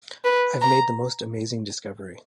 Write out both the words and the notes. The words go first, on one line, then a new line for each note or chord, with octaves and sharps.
I've made the most amazing discovery!
B4
A#5